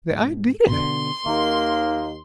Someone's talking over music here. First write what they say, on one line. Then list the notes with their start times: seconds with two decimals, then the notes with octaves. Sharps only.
The idea!
0.10 G#2 B2
0.69 B2 D3 C6
1.26 D#2 D#3 A#3 D#4